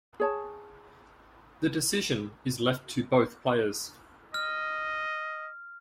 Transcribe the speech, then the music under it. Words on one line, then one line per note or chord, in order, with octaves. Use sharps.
The decision is left to both players.
G#4 C#5 A5
D#5 F6